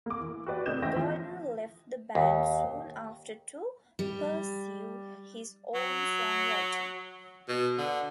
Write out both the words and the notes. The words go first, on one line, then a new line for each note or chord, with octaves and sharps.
Gordon left the band soon after to pursue his own song writing.
A#3 D6
E3
F#4 G4 B4 D5
A2 C3 D4 D#4 G6 E7
E3 C#4 C5 E5 G5 A#6
F3
D#2
G3
F#3
B2
D3